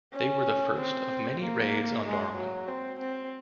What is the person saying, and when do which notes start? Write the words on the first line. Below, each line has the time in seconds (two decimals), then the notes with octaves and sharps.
They were the first of many raids on Darwin.
0.13 C#4
0.77 C4
1.41 A#3
2.05 G#3
2.36 F#3
2.68 C4
3.00 C4